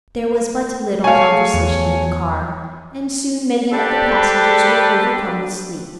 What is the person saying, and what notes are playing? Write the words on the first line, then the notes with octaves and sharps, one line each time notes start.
There was but little conversation in the car, and soon many of the passengers were overcome with sleep.
A3 G#4 C#5 F5 G#5
E2
D4 G4 A4 B4 C5 D5